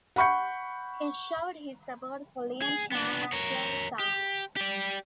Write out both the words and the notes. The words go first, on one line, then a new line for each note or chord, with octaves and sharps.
He showed his support for Lien Chan and James Soong.
F#5 B5 C#6 G6 C#7
G#4
B3 D4
A#4 C#5
G4
G4 D5